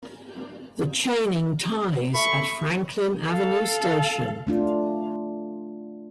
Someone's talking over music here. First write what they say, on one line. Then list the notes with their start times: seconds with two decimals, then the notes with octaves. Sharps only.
The chaining "ties" at Franklin Avenue station.
2.14 A3 B5 C#6
3.29 A4 F5
4.47 A3 D4 F4